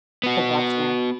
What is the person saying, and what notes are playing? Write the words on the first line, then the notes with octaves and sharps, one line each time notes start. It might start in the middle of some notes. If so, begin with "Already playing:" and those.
to watch next.
B3 F#4